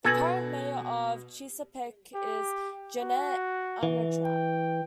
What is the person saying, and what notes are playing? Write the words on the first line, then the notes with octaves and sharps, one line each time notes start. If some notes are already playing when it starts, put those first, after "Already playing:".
The current Mayor of Chesapeake is Janet Armentrout.
B2 A4 G#5 A5 A#6 F#7
G4
F#4
E3
G5